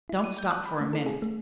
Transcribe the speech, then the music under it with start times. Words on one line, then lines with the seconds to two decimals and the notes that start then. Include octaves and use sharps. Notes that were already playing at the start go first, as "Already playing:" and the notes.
Don't stop for a minute.
0.09 E4
0.24 D#7
0.38 G6
0.51 F#6
0.65 B5
0.81 A3
0.93 A4
1.06 G#4
1.22 A3